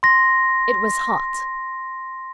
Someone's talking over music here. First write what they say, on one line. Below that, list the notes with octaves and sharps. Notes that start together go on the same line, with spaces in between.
It was hot.
C6 A#6